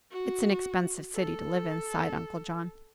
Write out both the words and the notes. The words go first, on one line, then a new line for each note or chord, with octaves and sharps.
"It's an expensive city to live in," sighed Uncle John.
F#4
A4